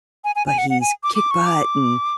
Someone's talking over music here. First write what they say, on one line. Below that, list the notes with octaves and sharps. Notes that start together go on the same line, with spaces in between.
but he's kick butt and,
G#5
G#5
G#5
F#5
F#5
G#5
D6
D6
C#6
D6